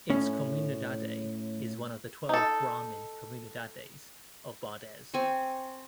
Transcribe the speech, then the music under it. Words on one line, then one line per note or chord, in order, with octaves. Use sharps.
Its comunidade is one of the twelve Brahmin comunidades of Bardez.
A2 C#4
D#4 A4
C4 G#5 C#6